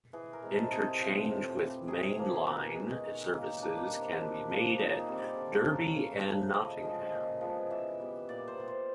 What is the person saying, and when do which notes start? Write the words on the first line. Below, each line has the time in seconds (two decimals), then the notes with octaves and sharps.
Interchange with Mainline services can be made at Derby and Nottingham.
0.13 E3 G#4
0.33 A#4
0.42 G#3 C4
0.52 A4
0.72 C3 G#4
1.01 F3 A3 C4
1.30 A2
1.59 E3 G3
1.88 C3 G#4
2.17 F3 A#3
2.47 B2
2.75 G#3 C#4
3.05 D#3
3.34 F#3 A#3
3.62 D#3 D4
3.92 G3 C4
4.21 A#2 D4
4.50 F3 A#3
4.79 A#2 D#4
4.99 G#4
5.08 G3 C4
5.18 D5
5.37 D3
5.67 F#3 A#3 C#4
5.96 C#3
6.24 F3 A3
6.54 C#3 D#5
6.83 F3 G#3 C#4
7.12 A#2
7.41 F3 G#3 B3
7.70 E3 E5
8.00 G3 B3
8.29 A#2 D5
8.48 C5
8.58 G3 B3
8.68 C5